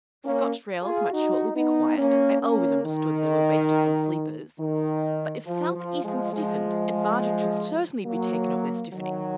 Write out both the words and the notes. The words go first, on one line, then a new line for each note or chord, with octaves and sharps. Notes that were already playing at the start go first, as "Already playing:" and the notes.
Scotch rails might shortly be quiet-- I always understood they were based upon sleepers; but if South-Eastern stiffened, advantage should certainly be taken of their stiffening.
A#3 C#4
F4 G#4
D#4 F#4
B3 D#4
A#3 C#4
A#3 C#4
D#3
D#3
F3
F3
F3 G#3
F3 G#3
F#3 A#3
D#3 F#3